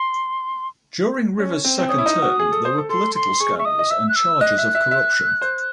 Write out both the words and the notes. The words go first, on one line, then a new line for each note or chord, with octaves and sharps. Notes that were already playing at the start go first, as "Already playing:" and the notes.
During Rivers' second term, there were political scandals and charges of corruption.
Already playing: C6
C#4
C4
C4
C#4 D#6
E4
D#4
F#4
G#4
A4
C5
A4
A4 C6
C6
G#4 C#6
E5 C#6
D#5 D#6
D#5
E5 E6
F#6
E6
D#5 F#6
E5
E5
E5
C5